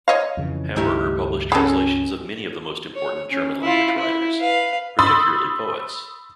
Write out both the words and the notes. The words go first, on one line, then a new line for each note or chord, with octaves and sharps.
Hamburger published translations of many of the most important German-language writers, particularly poets.
C#5 D#5 F5
F2 C#3 E3
C#2 G2 D#3 A3 E4 G4
C#4 G#4 A4 G5 B5
C#5
C#4
E4 F4
E4
B4 F5
B5 C6 D#6 E6 A6